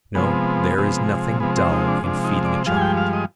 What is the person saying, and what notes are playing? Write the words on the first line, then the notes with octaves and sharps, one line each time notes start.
No, there is nothing dull in feeding a child.
C3 F3 G#3 B3
C3 F3 G#3
C3 F3 G#3 B3
C4
D#4
D4
C3 F3 G#3 D4
D#4
D5
G2 F3 G#3 F5
G#5
G5
F5
D#5